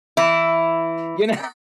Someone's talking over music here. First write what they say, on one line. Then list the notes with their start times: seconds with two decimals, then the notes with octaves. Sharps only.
you know?
0.17 E3 E4